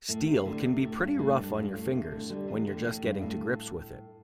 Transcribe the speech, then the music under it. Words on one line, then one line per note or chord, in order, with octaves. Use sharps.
Steel can be pretty rough on your fingers when you're just getting to grips with it.
A2
C3
A2 D3
C3
A2
G2
A2
G2
G2
A2
C3
A2 D3
D3 G3
C3 E3
A2 D3
A2
G2
A2